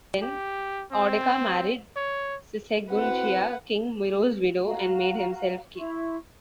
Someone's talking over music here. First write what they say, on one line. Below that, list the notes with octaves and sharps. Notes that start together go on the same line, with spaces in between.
Then Audeca married Siseguntia, king Miro's widow, and made himself king.
G4
C4
C#5
C4 E4 F#4 B4 F#5
F#4 F5 A#5
E4 C6 C#6